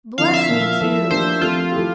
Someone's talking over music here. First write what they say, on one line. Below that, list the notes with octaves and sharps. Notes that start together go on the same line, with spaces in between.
"Bless me too!"
D3 F3 C4 E4 F5
E5
A#2 F3 A#3
F3 A3 E4
F3 A#3 D4 G4 C5
F3 A3 C4 F4
F3 A3 E4 G4